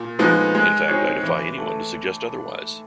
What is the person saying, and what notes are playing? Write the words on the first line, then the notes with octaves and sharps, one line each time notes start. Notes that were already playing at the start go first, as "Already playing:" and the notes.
In fact, I defy anyone to suggest otherwise.
Already playing: A#2
F3 G#3 B3 D#4
G#3
C4 D#4 G#4 C#5
E3
A3